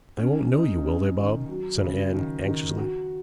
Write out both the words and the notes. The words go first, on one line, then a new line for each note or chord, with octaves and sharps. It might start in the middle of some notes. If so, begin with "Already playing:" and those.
'They won't know you, will they, Bob?' said Anne anxiously.
C#4
D#4
C#4
D#3
F#3
C#3
D#3
D#3
F#4